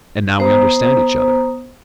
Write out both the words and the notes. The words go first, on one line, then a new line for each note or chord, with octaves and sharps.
"And now we understand each other."
B3 C5 A#5 D#6